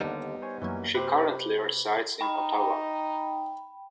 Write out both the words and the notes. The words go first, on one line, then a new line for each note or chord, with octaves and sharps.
She currently resides in Ottawa.
D#2 D3 G3 B3 D#4
C5 C#5 G#5
F#2 E3 F#3 A#3 C#4
C3 G4 B4 C5
D#4 G5 B5